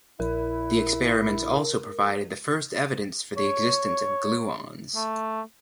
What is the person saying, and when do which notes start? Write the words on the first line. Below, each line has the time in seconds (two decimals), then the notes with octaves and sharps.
The experiments also provided the first evidence for the existence of gluons.
0.20 A#1 E4 A#4
3.37 C#5
4.95 A3